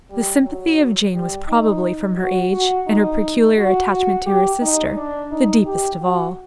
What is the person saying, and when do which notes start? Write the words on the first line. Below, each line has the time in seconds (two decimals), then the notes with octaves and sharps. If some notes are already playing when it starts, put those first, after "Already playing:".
The sympathy of Jane was probably, from her age, and her peculiar attachment to her sister, the deepest of all.
0.10 G3
0.44 F#3
1.14 G3
1.48 D#4
2.18 F#4
2.53 F#4
2.87 D#4
3.57 F#4
3.91 F#4
4.26 G4
4.62 D#4
4.96 D4
5.31 D#4
5.66 G4
6.01 F#4